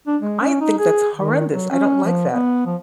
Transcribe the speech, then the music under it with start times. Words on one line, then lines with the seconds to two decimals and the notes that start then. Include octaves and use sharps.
I think that's horrendous. I don't like that.
0.07 D4
0.21 G#3
0.41 C#4
0.61 D#4
0.78 G#4
1.15 D#3
1.52 F#3
1.71 C#4
2.04 F3
2.34 B3
2.66 F3